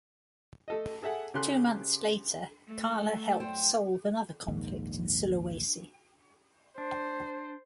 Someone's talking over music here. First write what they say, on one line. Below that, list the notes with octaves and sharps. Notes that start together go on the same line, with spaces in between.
Two months later, Kalla helped solve another conflict in Sulawesi.
A3 A4 D#5
G#4 A4 E5 F#5 G#5
C#3 G4 A4 C6 F#6
A3
F#2 C5 G5
A#1 D#2 G#2
D4 C5